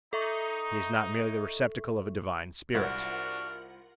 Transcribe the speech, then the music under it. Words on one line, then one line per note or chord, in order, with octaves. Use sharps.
He is not merely the receptacle of a divine spirit.
D#4 A4 E5 C#6
C2 D4 F4 F#4 A#4 F#5 F6